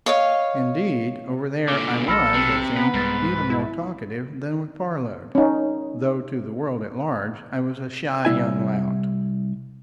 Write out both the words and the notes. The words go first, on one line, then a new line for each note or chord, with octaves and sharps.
Indeed, over there I was, I think, even more talkative than with Parload, though to the world at large I was a shy young lout.
C#5 D#5 F5
A#2 D3 D6
B1 A4 B5 F6 A#6
C3
B3 B4 B6
C2 G#2 A6
E4
C#4 D#4
C2 F#3 E4 G#5